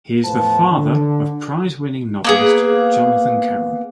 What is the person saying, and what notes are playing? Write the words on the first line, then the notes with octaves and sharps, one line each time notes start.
He is the father of prize-winning novelist Jonathan Carroll.
E2 A2 F3 B4 C5 A5
D3
A#3 B3 G#4